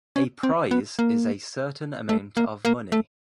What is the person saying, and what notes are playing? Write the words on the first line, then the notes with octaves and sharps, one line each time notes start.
A prize is a certain amount of money.
C#4
C4
B3
A#3
A3
A#3
A#3
A3